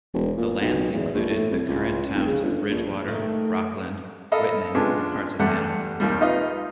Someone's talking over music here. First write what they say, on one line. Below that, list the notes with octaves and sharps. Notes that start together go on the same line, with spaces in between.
The lands included the current towns of Bridgewater, Rockland, Whitman, and parts of Hanover.
E1
A#2
B1
E2
A#1
A2
C2
C#2
F1
C#3
G1
A#1
D#3 A3
A4 A#4 D#5 F5 A5 B5
G#3 B3 C#4 D4 F4
E2 G2 G3 A3 F#5
A#1 D#2 D#3 G3
D#4 F4 B4 D#5 F5